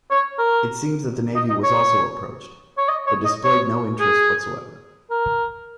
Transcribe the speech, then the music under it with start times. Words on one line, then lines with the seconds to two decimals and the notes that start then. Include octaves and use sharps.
It seems that the Navy was also approached, but displayed no interest whatsoever.
0.11 C#5
0.38 A#4
1.36 D#5
1.50 D#5
1.64 C#5
2.78 C#5
2.89 D#5
3.07 C#5
3.25 D#5
3.44 C#5
4.00 G#4
5.10 A#4